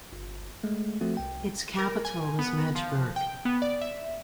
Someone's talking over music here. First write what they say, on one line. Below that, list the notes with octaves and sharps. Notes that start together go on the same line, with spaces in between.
Its capital was Magdeburg.
G1
G#3 A3
F3 A3 C4 F#4
C2 G5
A#4
G#5
B3
F3
G5
B3
D5
E5